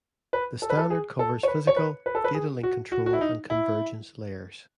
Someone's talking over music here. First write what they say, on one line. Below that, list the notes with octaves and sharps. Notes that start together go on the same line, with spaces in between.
The standard covers Physical, Data Link Control and Convergence layers.
B4
A4
B4
A4
G#4
A4
C#5
B4
C#5
B4
B4
A4
B4
G#4
F#4
F#4
F#4
E4
D#4
E4